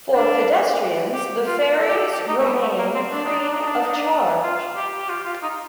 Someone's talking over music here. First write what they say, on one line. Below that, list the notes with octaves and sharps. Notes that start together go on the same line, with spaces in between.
For pedestrians, the ferries remain free of charge.
D4
G4
F4
A4
G4
A4
G4
D#4
A3
G3
A3
A#3
C4
D4
D#4
D4
D#4
D4
D#4
D4
F4
G4
G4
F4
F4
D#4